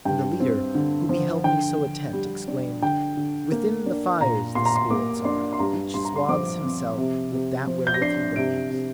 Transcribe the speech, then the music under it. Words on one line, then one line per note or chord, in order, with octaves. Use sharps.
And the Leader, who beheld me so attent, Exclaimed: "Within the fires the spirits are; Each swathes himself with that wherewith he burns."
G2 G5
C4
D3
F3
D3 G5
D3
G3
D4
D3 G5
D3
A#3
D4
A#2 A#5
A#2 C6
A#5
C6
A#3 D6
D4 C6
C6
G2 A#5
G2 C6
A#5
C6
F3 D6
C4
C3
C3
F3
G6
A#6
D4 C7
C3 D7
C3